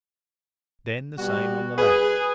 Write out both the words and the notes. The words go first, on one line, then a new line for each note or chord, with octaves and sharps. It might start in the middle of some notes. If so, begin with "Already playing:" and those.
Then the same on the left.
B2 G3 F#4
G#4 B4